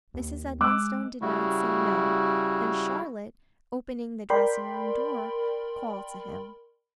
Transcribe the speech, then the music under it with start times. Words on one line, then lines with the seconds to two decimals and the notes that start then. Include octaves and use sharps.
Mrs. Edmonstone did not say no; and Charlotte, opening the dressing-room door, called to him.
0.14 D#2
0.61 G#3 D6 E6 F#6
1.22 C#3 G3 E4 F#4
4.30 A#4 D5 G5 B5 C6